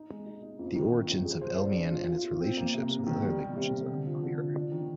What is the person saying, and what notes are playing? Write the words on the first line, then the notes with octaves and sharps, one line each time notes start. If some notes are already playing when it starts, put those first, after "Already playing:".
The origins of Elymian and its relationships with other languages are unclear.
Already playing: D#4
G#3
D#4
D#4
F2
D#3
F2
F2
G#4
C5
D4
D4
F4
F4
F4
C4
A#3
C3
A#3
D#3
G3
G3
C3
C3
D3
F3
D3
F3
D4
D#3